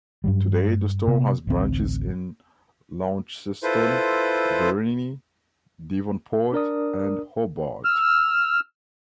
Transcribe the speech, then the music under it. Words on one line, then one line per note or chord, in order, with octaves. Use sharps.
Today the store has branches in Launceston, Burnie, Devonport and Hobart.
G2 F#3 G3
C3 B3
A1 D2 C4
E4 F4 A4 B4 C5
D4 A#4 D5 D#6
E6 F6